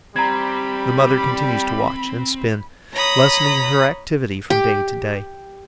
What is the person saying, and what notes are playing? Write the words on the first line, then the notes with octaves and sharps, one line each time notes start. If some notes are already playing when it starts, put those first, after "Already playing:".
The mother continues to watch and spin, lessening her activity from day to day.
G3 C4 G4 A#5 B5 G#6
C#5 A#5 B5 D#6
G4